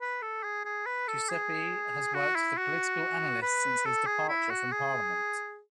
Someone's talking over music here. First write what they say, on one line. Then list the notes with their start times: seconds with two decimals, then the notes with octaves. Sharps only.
Duceppe has worked as a political analyst since his departure from parliament.
0.01 B4
0.22 A4
0.43 G#4
0.65 G#4
0.86 B4
1.07 A4
1.29 G#4
2.14 F#4
2.35 E4
2.57 F#4
3.42 B4
3.85 A4
4.06 G#4
4.29 E4
4.50 F#4
4.71 G#4